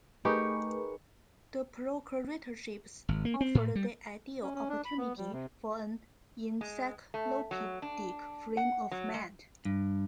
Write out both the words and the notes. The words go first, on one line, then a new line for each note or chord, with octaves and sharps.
The procuratorships offered the ideal opportunity for an encyclopedic frame of mind.
A3 D#4 G4 G#4 A#4 B4 C#6
G#1
A#3
C4
A2
G3
C#4
C#4
D4
B5
B3
G3
C3
G#3
A3
F#3
D4
F#5
F#3
G#3
G2